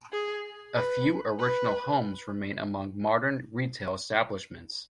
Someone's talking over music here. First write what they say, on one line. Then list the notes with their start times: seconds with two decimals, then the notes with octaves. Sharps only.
A few original homes remain among modern retail establishments.
0.13 G#4
0.76 B4
1.39 B4